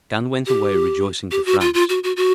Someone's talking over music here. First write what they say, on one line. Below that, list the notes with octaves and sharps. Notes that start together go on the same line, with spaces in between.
Gan went away rejoicing to France.
G4
G4
F#4
F4
F4
F#4
F#4
F#4